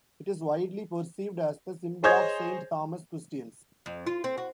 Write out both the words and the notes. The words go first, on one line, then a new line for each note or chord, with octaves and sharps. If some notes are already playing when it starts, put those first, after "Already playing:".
It is widely perceived as the symbol of Saint Thomas Christians.
G#4 C5 C#5 D#5 G6 G#6
F2
F4
C4
F#4